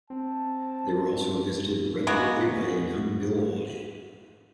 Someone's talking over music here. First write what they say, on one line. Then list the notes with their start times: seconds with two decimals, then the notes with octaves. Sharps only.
They were also visited regularly by a young Bill Oddie.
0.10 C4 A5
2.07 G#3 A#3 B3 F#4